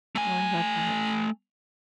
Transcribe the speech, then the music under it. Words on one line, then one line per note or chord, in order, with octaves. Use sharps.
Oh, I love that.
A3 G#5